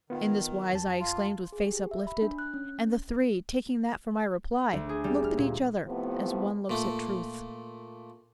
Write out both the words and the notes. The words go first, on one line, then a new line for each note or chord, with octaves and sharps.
In this wise I exclaimed with face uplifted; And the three, taking that for my reply, Looked at each other, as one looks at truth.
D#3 B3 F4
F2 A5
F4
G#4
G4
E5
B5
D4
F#6
C#4
D2
G#4
G3
F6
A#2
A2 C3 F3 B3
A#2 A3